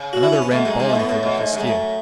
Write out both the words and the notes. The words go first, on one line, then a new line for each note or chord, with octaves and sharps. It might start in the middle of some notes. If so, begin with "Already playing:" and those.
Another ran bawling for the vestiaire.
Already playing: C#3
F#4
E4
C#4
B3
B2 A3
F#2 G#3
G#2 G#3
A3
A2 B3
A2 A3
B2
G#2
F#2 G#3
A3